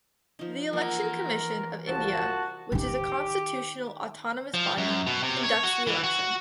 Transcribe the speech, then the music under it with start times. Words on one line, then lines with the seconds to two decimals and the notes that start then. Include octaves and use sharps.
The Election Commission of India, which is a constitutional autonomous body, conducts the election.
0.39 F3 D#4
0.73 E3 A#3 A#4 F#5
1.88 C2 F3 F#4 A5
2.72 D#3 D#4 G4
4.54 F3
4.78 F#2
5.07 B2
5.23 C3
5.43 C#5
5.63 F#4
5.87 E3
6.04 F#4